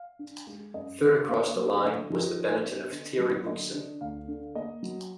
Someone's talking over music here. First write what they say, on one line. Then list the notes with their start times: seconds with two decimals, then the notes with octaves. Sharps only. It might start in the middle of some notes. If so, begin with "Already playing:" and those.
Third across the line was the Benetton of Thierry Boutsen.
Already playing: F5
0.19 D4
0.47 G#3
0.74 F#2 D#5
1.01 D3
1.28 A#3 F5
1.56 F#3
1.83 D3 D#5
2.10 F3
2.37 D#4
2.64 B3
2.92 D3
3.20 F#3
3.46 D3 D#5
3.74 D4
4.01 D2 F5
4.28 D3
4.55 A#3 D#5
4.83 F#3